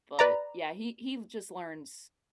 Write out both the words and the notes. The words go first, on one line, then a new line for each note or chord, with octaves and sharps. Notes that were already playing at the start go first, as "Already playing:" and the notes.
but, yeah, he he just learns
B4 D5 A#5